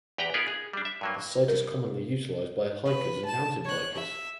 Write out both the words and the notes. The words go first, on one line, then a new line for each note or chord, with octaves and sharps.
The site is commonly utilized by hikers and mountain bikers.
E2 G4 B4 G5 A#5
B3 D#4 F4 G#4 A#4 B4
G#4
G3 D4
E5
G2 F#3 A#3
A#4
B4
A5 E7
C#5 F#6
E5